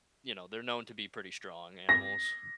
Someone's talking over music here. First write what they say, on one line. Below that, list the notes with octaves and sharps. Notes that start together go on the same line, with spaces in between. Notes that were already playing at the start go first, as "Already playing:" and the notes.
you know, they're known to be pretty strong animals.
A#6